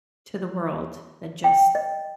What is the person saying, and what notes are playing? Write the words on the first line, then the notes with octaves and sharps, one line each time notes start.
to the world than just
G5
D#5